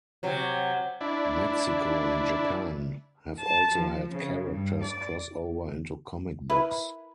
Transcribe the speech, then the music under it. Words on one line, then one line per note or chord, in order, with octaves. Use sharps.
Mexico and Japan have also had characters crossover into comic books.
C3 F#3
D4 E4
A5
F3
C#3
G2
D5
E4 A#4 B4